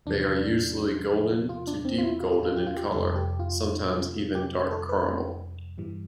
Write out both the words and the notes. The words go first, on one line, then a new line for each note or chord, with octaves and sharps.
They are usually golden to deep golden in colour, sometimes even dark caramel.
E2 C3 F3 D4
F4
D4
C4
F4
E4
F4
G4
F4
G4
F4
G4
F2 C3 G3 A4
G4
F4
G4
A4
B4
G2 E3 G3